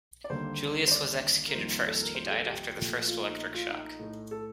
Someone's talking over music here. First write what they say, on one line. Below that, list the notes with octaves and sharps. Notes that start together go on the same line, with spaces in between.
Julius was executed first; he died after the first electric shock.
D5
D#2 D3 G3 A#3 C5
C5
D5
A#4
F2 D#3 G3 A#3 C5
A4
A#4
C5
G4
A4
G4
A#2 F3 A3
F4
D#4
D#4
F4
D#4
D#4
A2 A3
A4